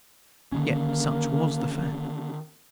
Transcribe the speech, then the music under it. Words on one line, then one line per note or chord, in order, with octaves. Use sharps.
Yet such was the fact.
D3 D#3 A#3 C#4